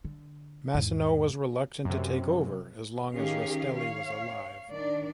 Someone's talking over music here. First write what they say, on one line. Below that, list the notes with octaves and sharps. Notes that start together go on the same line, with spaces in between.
Massino was reluctant to take over as long as Rastelli was alive.
D3
E2 G#2
F#2 C3
D#3 C#4 G4 G#4 F5
C#5 F5
D#3 D4 D5